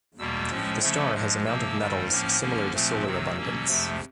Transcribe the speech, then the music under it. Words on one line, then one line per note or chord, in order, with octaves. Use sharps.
The star has amount of metals similar to solar abundance.
E2 B2 G3 A#3 E6
A2 F3 G#3 C#4
C#3 F3 A3 C#4 E6
G#2 F3 G#3
C3 F3 A#3 E6
G2 D#3 G3
A2 F3 A#3 C#4 F6
D3 F3 A#3 C#4
A#2 F3 A3 C4
C3 D#3 F#3 E6
B2 F#3 A#3 C#4
F2 C3 F3 A3